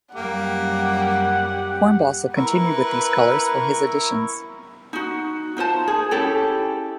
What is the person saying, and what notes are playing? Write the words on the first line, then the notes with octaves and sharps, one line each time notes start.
Hornbostel continued with these colors for his additions.
F#2 G3 A#3 G4 F#5
E4 A#4 B4 C#6
D#4 F#4
D#4 F4 C5 A5
G#4
C#4 E4 G4 A4